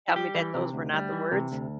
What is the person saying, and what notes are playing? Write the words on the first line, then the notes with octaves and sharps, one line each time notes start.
tell me that those were not the words.
E4
G3 G4
E3
C3
D2
G3
E3
C3
D2